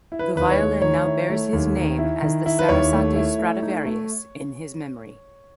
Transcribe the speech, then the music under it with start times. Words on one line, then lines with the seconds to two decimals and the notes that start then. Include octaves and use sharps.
The violin now bears his name as the "Sarasate Stradivarius" in his memory.
0.12 E4
0.19 B4
0.36 D#2 B4
0.51 C#5
0.59 A3
0.82 D#3 C#5
1.06 E4
1.29 A3
1.53 D#2
1.76 D#3
1.99 E4
2.22 D#3
2.46 E4
2.59 B4
2.69 D#2 C#5
2.92 A3
3.16 E4
3.39 A3
3.62 D#4
3.85 A3